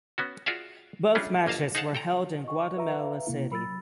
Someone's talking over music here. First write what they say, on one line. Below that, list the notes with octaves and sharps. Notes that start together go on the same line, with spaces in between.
Both matches were held in Guatemala City.
B3 C#4 F#4
F4 F#4 G#4 D5 E5 F5
G3 C#4 D4 F4 G#4
G1 A#3 D#5 F5 A5
D#4 G#4 C5 F5 F#5 A5
A4 G5 A#5
D#5 C#6
B4 E5 A#5
F5
C3 A#3 E4
F#3 B5 E6 A6